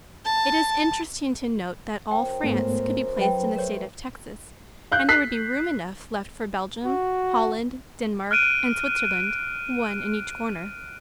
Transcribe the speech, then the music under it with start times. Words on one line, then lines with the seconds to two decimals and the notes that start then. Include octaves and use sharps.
It is interesting to note that all France could be placed in the state of Texas and there would be room enough left for Belgium, Holland, Denmark and Switzerland, one in each corner.
0.25 A5
2.11 F#2 A#4 C5 G5
2.43 G#2 A3 B3 C#4
3.17 F#3 B4 E5 G5
3.56 A3 A#4 C5 C#5
4.92 F5 F#6 G6
5.09 F#6 B6 C7
6.86 F#4
8.31 F6 F#6 D7 D#7